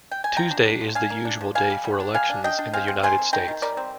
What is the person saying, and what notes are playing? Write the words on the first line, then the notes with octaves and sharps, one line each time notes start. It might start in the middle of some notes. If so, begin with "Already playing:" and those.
Tuesday is the usual day for elections in the United States.
G5
G#5
F3 G5 A#5
D4
D4
F3
D4 F5 G#5
A#3
D4
F3
G3 F5 G#5
G3
G3
D4
G3 F5 G#5
D4
D4 D#5 G5
D4
C4 F5 G#5
C4
D#3 G#5 C6
C4
D#3 G5 A#5
D#3
G3 A#4 D5
C4